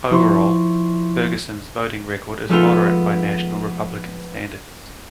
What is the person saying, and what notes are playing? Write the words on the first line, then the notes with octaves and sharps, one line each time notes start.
Overall, Ferguson's voting record is moderate by national Republican standards.
F3 E4 C6 C#6
F3 G#3 A3 B3 D#4 F4